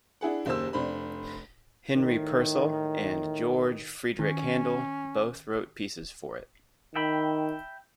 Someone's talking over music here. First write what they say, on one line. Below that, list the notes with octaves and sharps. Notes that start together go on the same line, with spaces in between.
Henry Purcell and George Frideric Handel both wrote pieces for it.
D4 E4 G#4 F#5
F#1 D#2 G4 C5 E6
F1 D4 C5 B5
A2 D#3
D#3 C#4
D#3 E5 G5 B5